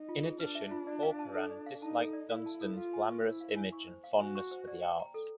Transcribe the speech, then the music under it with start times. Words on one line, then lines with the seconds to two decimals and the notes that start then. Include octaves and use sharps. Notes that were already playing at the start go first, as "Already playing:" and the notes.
In addition, Corcoran disliked Dunstan's glamorous image and fondness for the arts.
Already playing: D#4
0.09 F4
0.23 G#4
0.40 D4 B4
0.55 E5
0.71 F4
0.87 D5
1.03 F5
1.19 A5
1.34 A4
1.50 D5
1.66 F5
1.82 D#4 A5
1.98 A4
2.13 D5
2.30 E4 F5
2.46 A5
2.61 A4
2.77 F4 F5
2.93 G#5
3.09 C#6
3.24 E4 C5
3.41 F5
3.56 G#5
3.72 C#6
3.88 C5
4.04 F5
4.20 F#4 G#5
4.35 C#6
4.51 C5
4.68 D5
4.83 G5
4.99 A#5
5.14 A4